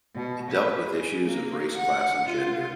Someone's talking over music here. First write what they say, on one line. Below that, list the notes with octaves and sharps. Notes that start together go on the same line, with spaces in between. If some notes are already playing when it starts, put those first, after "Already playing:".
It dealt with issues of race, class, and gender.
B2
B4
G#4
A#3
F#5
F4